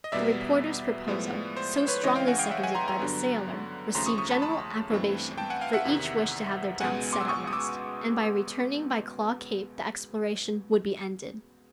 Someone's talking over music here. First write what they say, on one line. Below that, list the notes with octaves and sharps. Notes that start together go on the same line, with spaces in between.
The reporter's proposal, so strongly seconded by the sailor, received general approbation, for each wished to have their doubts set at rest, and by returning by Claw Cape the exploration would be ended.
D#5
E2 B2 G3 B3 D5 E5
A2 F3 G#3 B3
C5
B4 C#5
C#2 C#3 E3 G#3 C#5 D#5
F5 G5
F#5 G#5
F5 G5
E5 F#5
F#5 G#5
A#5 C6
A#5 C6
G2 D3 F#3 B3
D#2 C#3 F3 A3 A#5 C6
C#6 D#6
C#6 D#6
A5 B5
A5 B5
G2 E3 A3 C4
G5 A5
F#5 G#5
F5 G5
E5 F#5
E2 C3 D#3
C#2 B2 G#3 B3 F#5 G#5
C6 D6
E6
C#6 D#6
D#6
D6 E6